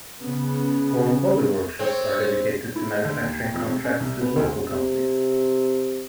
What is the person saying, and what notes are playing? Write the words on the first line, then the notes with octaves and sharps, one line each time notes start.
All other workshops are dedicated to manufacturing contracts with local companies.
C#3 B3
C4 C#5
E4
D#5
D3
D#2
G5
F2
C3
C#4
C2
B3
D2
C3